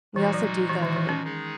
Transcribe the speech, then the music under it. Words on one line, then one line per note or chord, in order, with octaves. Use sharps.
We also do the
A#2 E3 G#3 D#4 F#4
F#3
E3
D#3
E3
C#4
D#3 G#3 D#4 G#4